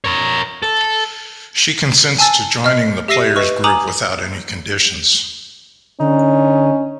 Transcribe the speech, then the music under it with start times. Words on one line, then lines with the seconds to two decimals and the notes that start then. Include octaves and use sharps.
She consents to joining the player's group without any conditions.
0.05 A#4 C#5
0.63 A4
2.18 G#5 A5 E6 A6
2.64 D#5 F6
3.08 G4 E5 E6 A#6 C7 D#7
3.36 B4 D#5 C#6
3.64 G#5 A#5 D6 D#6 F#7
6.00 D3 C#4 D#4